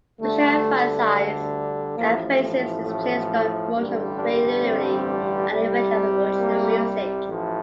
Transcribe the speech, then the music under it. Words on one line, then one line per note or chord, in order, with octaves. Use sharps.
Special emphasis is placed on the promotion of creativity and the invention of original music.
D2 D3 G3 A3
A1 A2 F3 A#3
A3
A3
A1 G2 D3 G3 A#3
D4
C4
C2 C3 G3
A#3
A1 A2 F3